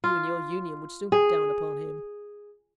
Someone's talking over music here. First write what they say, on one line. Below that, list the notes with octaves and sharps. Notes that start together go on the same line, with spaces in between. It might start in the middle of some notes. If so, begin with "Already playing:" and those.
You and your Union would soon be down upon him.
F4
G#4